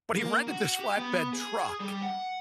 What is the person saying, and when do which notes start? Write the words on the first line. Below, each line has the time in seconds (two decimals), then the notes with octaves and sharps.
but he rented this flatbed truck
0.18 A#3
0.48 F#4
0.80 G4
0.97 B3
1.33 G#4
1.80 G3
2.02 F#5